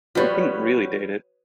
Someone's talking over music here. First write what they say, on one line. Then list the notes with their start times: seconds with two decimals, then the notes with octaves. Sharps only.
You couldn't really date it.
0.15 F3 G3 F#4 B4 C#5